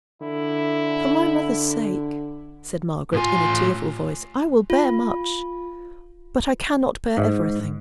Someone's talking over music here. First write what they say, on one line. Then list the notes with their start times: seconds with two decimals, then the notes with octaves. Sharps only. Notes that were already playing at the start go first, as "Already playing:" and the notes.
'For my mother's sake,' said Margaret, in a tearful voice, 'I will bear much; but I cannot bear everything.
0.22 D3 E4
3.13 A2 F4 G#5
4.70 F4
7.17 G#2